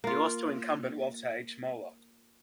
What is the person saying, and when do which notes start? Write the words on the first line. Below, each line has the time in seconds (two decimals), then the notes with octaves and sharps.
He lost to incumbent Walter H. Moeller.
0.04 A#3 F4